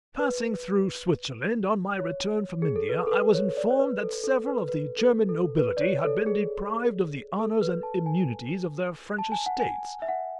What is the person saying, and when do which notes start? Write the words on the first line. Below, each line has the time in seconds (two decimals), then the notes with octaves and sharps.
Passing through Switzerland on my return from India, I was informed that several of the German nobility had been deprived of the honours and immunities of their French estates.
0.19 B4
2.00 C#5
2.62 G#4
2.76 A4
2.89 B4
3.07 A4
3.12 B4
3.34 C#5
3.57 D5
3.71 C#5
3.80 B4
4.01 A4
4.24 A4
4.46 B4
4.68 B4
4.98 A4
5.29 A4
5.58 B4
5.77 D5
5.81 C#5
6.04 A4
6.26 G#4
7.39 A4
7.61 B4
7.83 A5
8.06 G#5
9.19 A5
9.32 G#5
9.46 F#5
9.60 G#5
10.02 E5
10.08 F#5